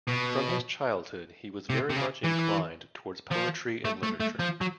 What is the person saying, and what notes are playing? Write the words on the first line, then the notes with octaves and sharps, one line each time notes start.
From his childhood he was very much inclined towards poetry and literature.
B2
C3
C3
C#3
E3
F3
A3
A3
A3
F3
F#3